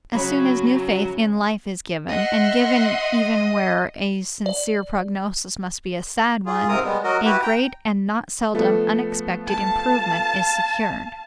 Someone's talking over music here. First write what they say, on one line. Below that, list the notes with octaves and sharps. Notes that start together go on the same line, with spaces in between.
As soon as new faith in life is given, and given even where a sincere prognosis must be a sad one, a great and not seldom unexpected improvement is secured.
C#3 F#3 B5
D#5 E5 F#5 C6
D5
F4 G#4
G#2 C3 C4 A#4 A#5 D#6
G3 G#3 B3
F#3 F#4 A#4 D#5
E4 F#4 G4 B4
G5 A#5
F3 A3 B3
F5 A5